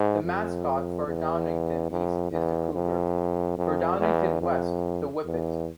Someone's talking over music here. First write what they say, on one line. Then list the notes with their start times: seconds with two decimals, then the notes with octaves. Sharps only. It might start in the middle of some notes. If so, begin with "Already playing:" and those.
The mascot for Downingtown East is the cougar, for Downingtown West, the whippet.
Already playing: G#2
0.24 F2
1.07 E2
1.91 F2
2.31 E2
2.74 F2
3.58 F2
4.00 E2
4.41 F2
5.25 E2